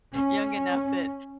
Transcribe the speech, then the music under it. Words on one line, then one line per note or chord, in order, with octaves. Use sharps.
young enough that,
C#4